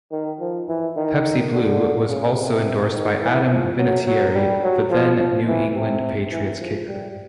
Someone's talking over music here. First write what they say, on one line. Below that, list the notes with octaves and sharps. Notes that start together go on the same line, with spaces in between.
Pepsi Blue was also endorsed by Adam Vinatieri, the then New England Patriots kicker.
D#3
F3
E3
D#3
D3
C#3
C3
D#3
E3
F3
F#3
F#3
G3
F#3
F3
F3
E3
C3
E3
F3
G3